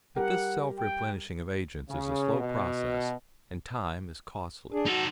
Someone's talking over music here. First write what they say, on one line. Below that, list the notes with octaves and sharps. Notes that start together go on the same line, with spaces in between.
But this self-replenishing of agents is a slow process, and time is costly.
G3 G4 A#4 F#5
G5
C#3
B2
D4 G#4
D#4 F#4 A4